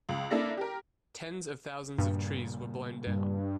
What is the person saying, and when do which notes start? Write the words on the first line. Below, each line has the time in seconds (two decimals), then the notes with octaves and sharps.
Tens of thousands of trees were blown down.
0.09 C#2
0.31 A#3 D4 E4 A4 D5 A#6
0.57 G4 A#4
1.98 G2 A#2 C#3 G3
3.07 G2